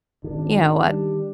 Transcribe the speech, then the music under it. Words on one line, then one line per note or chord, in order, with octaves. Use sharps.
you know, uh,
G#1 D#3 D4
G3